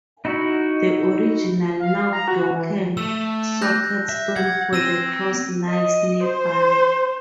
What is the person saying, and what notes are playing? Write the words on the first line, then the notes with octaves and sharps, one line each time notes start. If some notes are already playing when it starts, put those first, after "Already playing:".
The original, now broken, socket stone for the cross lies nearby.
D#4 E4 F#4
F5
A#5
F#4
E3
A3 E6
F#6 G6 A#6
E5
F#5 G#6
C4 E6 A#6 D#7
D#5
C5